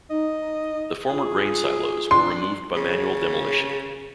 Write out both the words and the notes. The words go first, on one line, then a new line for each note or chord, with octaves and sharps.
The former grain silos were removed by manual demolition.
D#4 D#5
F4 G#4
D4 C6
C#3